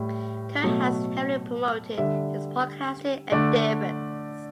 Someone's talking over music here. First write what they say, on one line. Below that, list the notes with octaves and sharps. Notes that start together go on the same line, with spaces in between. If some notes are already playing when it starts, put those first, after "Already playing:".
Curry has heavily promoted his podcasting endeavors.
Already playing: A2 G3
B2 F#3 A3
D3 G3 E5
D3 A3 D5